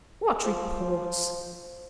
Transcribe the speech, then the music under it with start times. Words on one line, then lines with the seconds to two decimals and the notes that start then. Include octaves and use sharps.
"What reports?"
0.45 F3